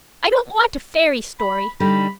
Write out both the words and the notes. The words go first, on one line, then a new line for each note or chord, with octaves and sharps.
I don't want a fairy story.
B5
D3 G3 D#4 B5